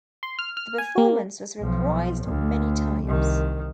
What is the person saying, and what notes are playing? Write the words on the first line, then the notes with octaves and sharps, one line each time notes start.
The performance was reprised many times.
C6
F6
F6
G#5
A#3
B1 F3
D2
C2 D#3